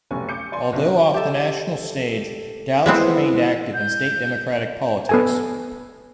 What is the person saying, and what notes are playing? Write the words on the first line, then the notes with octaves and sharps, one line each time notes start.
Although off the national stage, Dallas remained active in state Democratic politics.
F1 B1 C#4 G#5 C#6
D6 G6 C#7
D5 G#5 C6
B1 C4 D4
G4 A4
G#3 B3 C4 E4 F#5 C7
G6
B3 A4 G#5